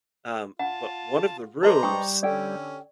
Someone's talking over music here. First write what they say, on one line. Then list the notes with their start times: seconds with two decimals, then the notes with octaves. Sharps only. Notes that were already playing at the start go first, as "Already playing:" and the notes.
um, but one of the rooms
0.59 F4 F#5 A5
1.63 B4 C5 D5 D#5 A5 A#5
1.83 G3 G5 C#6 D#6
2.23 D3 C#4 G4 A4 D5 G5